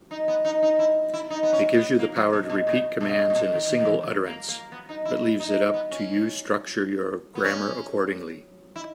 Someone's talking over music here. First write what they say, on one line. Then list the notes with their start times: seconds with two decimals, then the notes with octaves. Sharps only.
It gives you the power to repeat commands in a single utterance, but leaves it up to you structure your grammar accordingly.
0.11 D#4
0.28 B3
0.45 D#4
0.62 D#4
0.79 E4
1.14 E4
1.30 D#4
1.43 B3
1.53 C#4
1.76 B3
1.99 A#3
2.16 F#3
2.33 B2
2.49 B2
2.67 A#2
3.01 B2
3.10 C#3
3.19 B2
3.30 A#2
3.35 B2
3.52 D#3
3.69 D#3
3.79 D#3
3.86 E3
4.03 F#3
4.26 A#3
4.49 A#3
4.72 B3
4.89 D#4
5.05 E4
5.23 E4
5.40 D#4
5.74 B3
5.91 C#4
7.35 B3
7.44 C#4
8.76 E4